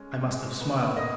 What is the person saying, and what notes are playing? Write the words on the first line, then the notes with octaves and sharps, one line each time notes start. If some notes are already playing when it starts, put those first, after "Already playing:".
I must have smiled.
Already playing: G#3 C#4
G#3
B3
A#3 D#5